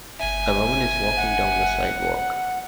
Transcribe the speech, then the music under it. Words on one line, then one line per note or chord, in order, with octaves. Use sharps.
A woman is walking down the sidewalk.
G1 E5 G#5
F#5